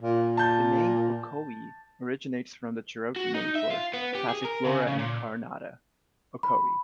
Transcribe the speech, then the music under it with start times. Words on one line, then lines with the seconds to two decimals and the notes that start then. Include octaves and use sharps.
The name Ocoee originates from the Cherokee name for Passiflora incarnata, ocoee.
0.02 A#2
0.37 A5 G6
3.16 F#4
3.34 D#4
3.55 E5
3.70 F4
3.94 B3
4.15 G4
4.29 G#4
4.44 A#4
4.65 C#3
4.87 C#3
4.99 A#2
6.43 B5